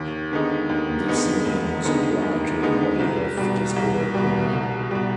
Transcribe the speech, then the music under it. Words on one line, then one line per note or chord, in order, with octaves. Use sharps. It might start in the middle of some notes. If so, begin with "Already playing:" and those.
This name was applied to a body of desperate men.
Already playing: D#2
D3 G#3 B3 D#4
D#2
D3 G#3 B3 D#4
D#2
D3 G#3 B3 D#4
D#2
D3 G#3 B3 D#4
C2
B2 G3
C2
B2 G3
C2
B2 G3